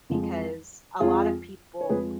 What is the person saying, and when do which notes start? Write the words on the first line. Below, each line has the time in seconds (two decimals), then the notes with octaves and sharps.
because a lot of people,
0.09 F2 F3 G#3
1.00 F2 F3 G#3 F4 G#4
1.81 C#5
1.89 F2 F3 G#3 G#4 B4